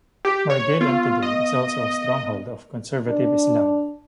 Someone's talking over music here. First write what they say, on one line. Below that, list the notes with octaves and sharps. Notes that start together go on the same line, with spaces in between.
Margilan today is also a stronghold of conservative Islam.
G4
C#5
B3 F4
D#5
D4